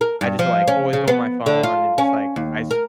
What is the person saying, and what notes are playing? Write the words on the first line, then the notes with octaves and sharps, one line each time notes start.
I just, like, always go on my phone and just, like, I sc
A#4
G2
F3
C#4
C#3
B3
D3
F4
C#4
D#2
A#4